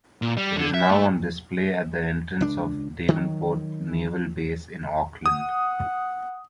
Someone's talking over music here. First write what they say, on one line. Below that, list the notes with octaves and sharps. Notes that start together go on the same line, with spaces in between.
It is now on display at the entrance of Devonport Naval Base in Auckland.
A#2
G3
D3
E5
A3
C#2 D4
D#3 F#3
F#5 D#6